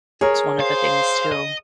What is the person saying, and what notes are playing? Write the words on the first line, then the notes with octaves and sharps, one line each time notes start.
is one of the things too.
G#4 A#4 C#5
C5 F5
D#5